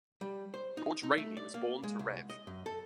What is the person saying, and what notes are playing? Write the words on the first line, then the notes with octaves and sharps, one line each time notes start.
George Rainy was born to Rev.
G3
C5
D#4
D#4
A3
D5
A#3
G#3
C2
D#5
F#2
A4